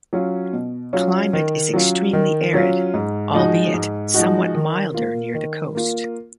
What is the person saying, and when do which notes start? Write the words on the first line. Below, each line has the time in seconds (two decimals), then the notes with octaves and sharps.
Climate is extremely arid albeit somewhat milder near the coast.
0.13 F#3 C#4 F4
0.53 B2
0.93 F#3 C#4 F4
1.33 D#3
1.74 F#3 C#4 F4
2.13 D#3
2.54 F#3 C#4 F4
2.94 G#2
3.34 F3 G#3 D#4 F#4
3.74 G#2
4.14 F3 G#3 D#4 F#4
4.54 D#3
4.94 A#3 F4
5.35 D#3
5.75 A#3 F4